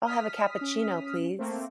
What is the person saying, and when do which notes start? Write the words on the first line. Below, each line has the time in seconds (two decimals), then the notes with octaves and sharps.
I'll have a cappuccino please.
0.04 D#6 F6 B6
0.61 C#4
1.39 A3 A#3 C4 C5